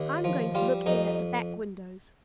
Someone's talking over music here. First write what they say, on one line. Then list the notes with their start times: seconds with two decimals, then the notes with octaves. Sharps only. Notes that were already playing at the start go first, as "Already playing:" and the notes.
I'm going to look in at the back windows.
Already playing: D#2
0.24 F3
0.55 G3 F4
0.86 F2 D#4